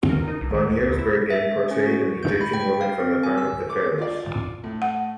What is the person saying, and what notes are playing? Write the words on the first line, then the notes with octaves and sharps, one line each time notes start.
Van Giersbergen portrayed an Egyptian woman from the time of the pharaohs.
A#4
D#4
B1
D#3
D#2
D2
E4
E5
C#4
F#4
G6
B5
G5
F5
C4
G#5
E6
D6
F4 D5
A2
F#5